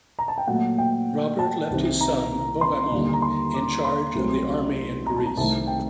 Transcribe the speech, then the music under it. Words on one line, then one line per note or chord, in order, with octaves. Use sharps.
Robert left his son Bohemond in charge of the army in Greece.
A#5
A5
G5
A#2 F#3 A3 F#5
G5
A5
C2 C3 D#3
A#5
C6
D#2 D3 G3 A#3
A#5
C6
D6
C6
C2 C3 F#3 A3
A#5
A5
A#5
C2 C3 D#3 A3 A5
G5